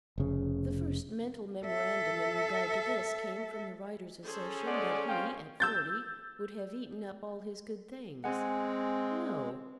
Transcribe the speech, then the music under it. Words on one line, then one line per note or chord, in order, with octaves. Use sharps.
The first mental memorandum in regard to this came from the writer's assertion that he at forty would have eaten up all his good things. No!
F1 C#3
A4 E5
C#4 G#4 A4 C5
G#3 D5 F#5
C4 F5 G5
E6 G6 A6
G#3 C4 F#5 G#5